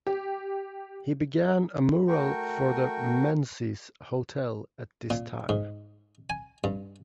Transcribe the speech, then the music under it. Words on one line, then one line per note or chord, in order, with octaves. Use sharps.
He began a mural for the Menzies Hotel at this time.
G4
A3 F#4 A#4 G5 C#6
A#2
G#2
G#5
G2